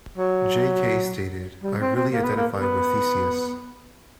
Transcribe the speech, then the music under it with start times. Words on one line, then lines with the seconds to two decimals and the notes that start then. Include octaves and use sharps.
Jay Kay stated, I really identify with Theseus.
0.18 F#3
1.63 G3
1.80 C4
1.96 C4
2.12 A#3
2.24 B3
2.37 A#3
2.61 B3